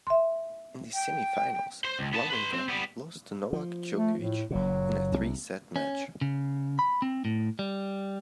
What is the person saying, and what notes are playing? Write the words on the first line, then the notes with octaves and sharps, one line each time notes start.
In the semifinals, Wawrinka lost to Novak Djokovic in a three set match.
E5 C6
G5
C5 C6
C#2
B3 A5
B4 C6
C4
G3 B3
F3
A3
A2
F#1 A#2 F#3
C2
C#4
C#3
B5
C4
A2
G3